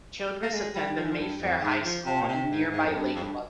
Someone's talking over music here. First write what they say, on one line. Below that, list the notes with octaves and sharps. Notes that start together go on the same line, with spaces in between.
Childress attended Mayfair High School in nearby Lakewood.
A#3
G#3
G3
F3
E3
F3
G2
F2
G#2
F3
C3
A#2
C3
G#2
G#2
F2
G2
F2
G2